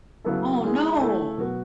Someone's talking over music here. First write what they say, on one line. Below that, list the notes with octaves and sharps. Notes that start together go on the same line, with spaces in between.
Oh, no!
C#3 F#3 B3 E4 A4
G#3 C#4 E4 G#4
A3 E4 A4
B2 F#3 B3 F#4 B4